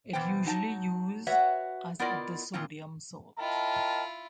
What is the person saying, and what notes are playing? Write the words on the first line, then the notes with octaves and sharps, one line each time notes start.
It usually used as a disodium salt.
B2 E3 C5 G5
F#3 D#4 G5 A5
F#4 B4 C#5 E5 F#5
B3 E4 F4 A#4 D5 D#5
A#2 D#3 C4 F4
E4 F4 A#4 D#5 G5 A5